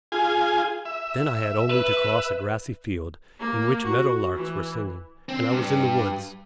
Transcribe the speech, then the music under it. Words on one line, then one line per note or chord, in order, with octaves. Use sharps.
Then I had only to cross a grassy field, in which meadow larks were singing, and I was in the woods.
F4 G#4 G#5
E5
B4
A#3
F#4
E3
C4
G2